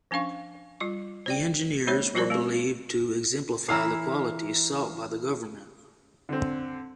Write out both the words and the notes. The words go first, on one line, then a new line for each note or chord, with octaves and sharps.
The Engineers were believed to exemplify the qualities sought by the Government.
F3 C#4 D4 F5 C#6
G3 F4 D6
C5 D5 G5
G#3 A#3 D#4 C5 C#5 E5
F3 G3 F4 A#4 C5 D5
A3 C4
E3 E4 C#5 A#5 F6 C7
D3 C4